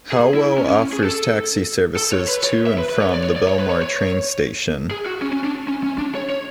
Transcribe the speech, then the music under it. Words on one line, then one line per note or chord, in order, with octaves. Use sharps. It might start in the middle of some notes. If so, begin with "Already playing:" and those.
Howell offers taxi services to and from the Belmar train station.
G#4
E4
C#4
C#4
G#4
A4
A4
C#5
B4
C#5
E5
B4
B4
C#5
D5
C#5
D5
C#5
B4
C#5
C#5
G#4
F#4
C#4
C#4
D4
C#4
C#4
D4
C#5
C#5